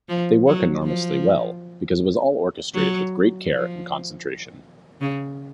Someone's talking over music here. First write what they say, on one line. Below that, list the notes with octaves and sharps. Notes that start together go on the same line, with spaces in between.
They work enormously well, because it was all orchestrated with great care and concentration.
F3
F#3
F3
F#3
F3
C#3